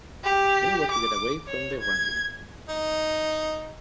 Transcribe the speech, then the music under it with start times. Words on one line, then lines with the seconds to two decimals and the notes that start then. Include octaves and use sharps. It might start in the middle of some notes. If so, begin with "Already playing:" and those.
Anywhere to get away from that wrangling.
0.24 G4
0.91 D6
1.47 C#5
1.81 G#6
2.69 D#4